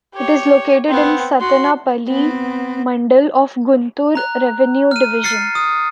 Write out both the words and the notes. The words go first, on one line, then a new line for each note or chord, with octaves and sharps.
It is located in Sattenapalle mandal of Guntur revenue division.
G4 C#5
B3 C4
F#4 C6
B3 C4
A#5 F#6
F6 D#7
F6 A6 C7 C#7
D#6